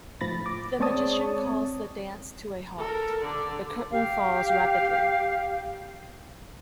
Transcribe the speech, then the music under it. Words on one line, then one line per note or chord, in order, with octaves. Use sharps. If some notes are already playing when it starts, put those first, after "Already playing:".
The Magician calls the dance to a halt; the curtain falls rapidly.
A2 F3 B5 A6 A#6
D6
G#3 C4 C#5 D5 A5 D#6
A4 A#4
D3 D5
G4 F5